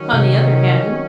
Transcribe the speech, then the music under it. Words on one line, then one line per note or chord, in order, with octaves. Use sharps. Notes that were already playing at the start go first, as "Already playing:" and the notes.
On the other hand.
Already playing: D#3 F#3 C#4
C3